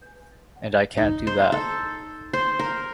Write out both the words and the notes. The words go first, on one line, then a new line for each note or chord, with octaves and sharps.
And I can't do that.
D#4
C5
A4
C5
A#4